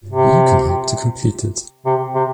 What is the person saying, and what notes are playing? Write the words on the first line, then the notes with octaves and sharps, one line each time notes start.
You can help to complete it.
C3
C3
C3